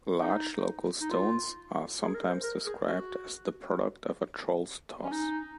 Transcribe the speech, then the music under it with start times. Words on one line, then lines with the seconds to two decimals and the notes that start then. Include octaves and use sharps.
Large local stones are sometimes described as the product of a troll's toss.
0.21 D#4
1.01 D#4
1.11 F4
2.02 G#4
2.14 A#4
2.29 C5
2.43 A#4
2.66 G#4
2.89 F#4
5.04 C#4
5.12 D#4